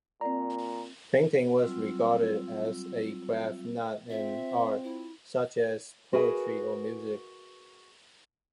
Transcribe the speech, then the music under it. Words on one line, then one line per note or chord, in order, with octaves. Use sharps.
Painting was regarded as a craft, not an art such as poetry or music.
A#2 C4 D5 A#5
F#3 G3 C4 F4 E6
C4 F4 E5
E4
F#4 G#4 A#4 B4 E5 G#5